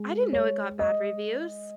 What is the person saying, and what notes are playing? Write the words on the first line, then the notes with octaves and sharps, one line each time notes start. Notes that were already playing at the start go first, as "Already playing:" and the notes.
I didn't know it got bad reviews.
Already playing: G#3
C#5
D#5